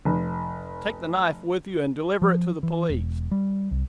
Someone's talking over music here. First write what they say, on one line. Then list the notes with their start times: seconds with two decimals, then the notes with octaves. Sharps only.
"Take the knife with you, and deliver it to the police."
0.05 F1
2.22 F3
2.63 E3
2.90 E1
3.32 G3
3.71 C2